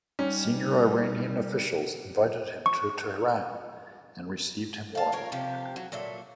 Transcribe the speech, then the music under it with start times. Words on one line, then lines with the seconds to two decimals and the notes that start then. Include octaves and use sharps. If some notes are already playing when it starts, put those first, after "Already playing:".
Senior Iranian officials invited him to Tehran and received him warmly.
0.19 G3 C#4 D#4 F6
2.66 C#6
4.95 F5 A5
5.12 F4 A#4 C#5
5.32 C3 F3 G4
5.76 F#3
5.92 A#2 F#3 A4 E5